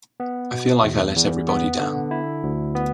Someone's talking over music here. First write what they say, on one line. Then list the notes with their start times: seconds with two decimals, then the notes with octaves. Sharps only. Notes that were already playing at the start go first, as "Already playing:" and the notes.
I feel like I let everybody down.
0.20 B3
0.51 B2
0.83 E2
1.16 E2
1.48 B3
1.80 D3
2.11 E4
2.43 D2
2.75 B3